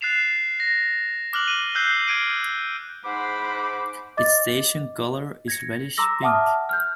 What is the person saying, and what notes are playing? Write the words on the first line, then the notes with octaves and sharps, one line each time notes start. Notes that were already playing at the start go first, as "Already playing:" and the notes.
Its station colour is reddish-pink.
F#6 A6 C7 E7 F7
A#6
D6 F6 F#6 F#7
D#7 G7
E6 F#6 G6 C7
F6 G#6 D7 D#7
G#2 C5 F#5 B5 D6
D#5 D6 A6
G#6 A#6 C#7
A#5 C6 D6 E6 A#6
E5 F#5 A5 D6 D#6 F6
F6 G6